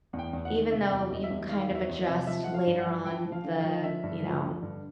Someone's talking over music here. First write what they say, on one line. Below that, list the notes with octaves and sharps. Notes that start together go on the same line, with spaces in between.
even though you can, kind of adjust later on the you know,
E2
G5
E2
F#5
D#3
C3 E5
E2
D5
E2 D#5
E5
E2
D#3 F5
E2
E5
E2
D#5
C3
F3 E5
F3 F#5
F5
G2
F#5
F3
F3 G5
F3
F5
D3
F5
F3
D3 E5
G2
F3
D3
G2